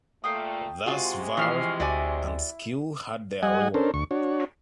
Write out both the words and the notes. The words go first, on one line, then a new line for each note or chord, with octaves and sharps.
Thus valor and skill had their reward.
A#2 A3 F5 G5 D#6
C3 G#3 F4 F#4 G#4
E3 F3 C#6 F6 C7
D2 E4 F#4 D5 G#5
G3 D#5 F#5 G#5
C#4 D4 A4 A#4 C5
D2 C#6
D4 F#4 C#5